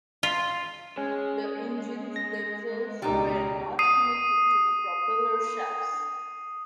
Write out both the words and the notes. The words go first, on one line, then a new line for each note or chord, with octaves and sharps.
The engines themselves were not connected to the propeller shafts.
F4
G#3 C#4
A#6
C#2 B2 G3 D#4
D#6 C7 D#7